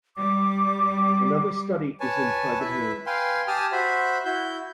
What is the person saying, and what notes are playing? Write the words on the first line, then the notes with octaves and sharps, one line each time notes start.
Another study is in private hands.
G3 D6
B4 C#5 G#5 A5
E4 B4 E5
B4 F5 G5 G#5 C6
G4 G#5 A5 D#6 F6
F#4 C5 E5 B5
E4 F#4 G6